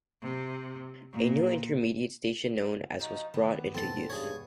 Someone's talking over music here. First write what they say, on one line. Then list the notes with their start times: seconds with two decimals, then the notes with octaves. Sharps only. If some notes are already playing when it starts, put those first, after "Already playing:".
A new intermediate station known as was brought into use.
0.23 C3
1.12 A#2
2.99 F3 D#4 F#4
3.34 D#3 B3 G5 D6
3.75 E2 G#2 B2 C4 A4 A5
4.10 G2 G#4 C#5